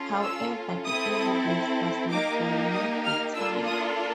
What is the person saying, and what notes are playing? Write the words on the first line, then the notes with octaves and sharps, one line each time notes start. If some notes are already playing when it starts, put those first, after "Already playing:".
However the evidence does not dominate the town.
Already playing: C#4 F4 A4
E6
C4 E4 A4 D#6
A#3 D#4 G4 D6
D#6
F6
A#3 D4 F4 A4 E6
D#6